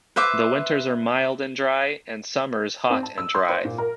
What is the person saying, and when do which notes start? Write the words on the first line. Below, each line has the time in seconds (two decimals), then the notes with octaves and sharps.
The winters are mild and dry and summers hot and dry.
0.16 B4 C5 E5 D6
2.90 C4
3.03 A5
3.18 E6
3.35 C6
3.49 C5
3.65 A#2
3.78 A#4